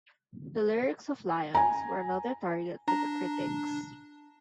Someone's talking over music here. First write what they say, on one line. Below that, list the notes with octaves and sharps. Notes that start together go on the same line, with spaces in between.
The lyrics of "Lions" were another target for the critics.
G#5 A#5
D4 A#5